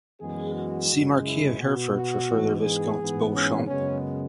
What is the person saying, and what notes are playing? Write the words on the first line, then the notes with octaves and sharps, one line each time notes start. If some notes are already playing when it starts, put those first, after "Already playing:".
See Marquess of Hertford for further Viscounts Beauchamp.
F#2 E3 G#3 B3 G#4
F#4
F#2 C#3 G#3
E4
B2 B3 F#4
F#4
G#2 E3 G#3 B3
G#4
G#2 E3 B3
C#4
F#2 C#3 G#3 B3 C#4